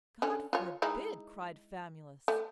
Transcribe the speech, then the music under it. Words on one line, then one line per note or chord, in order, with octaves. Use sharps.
"God forbid!" cried Famulus.
D3 C#4
F4 C#5
G#3 D#4 E4
A3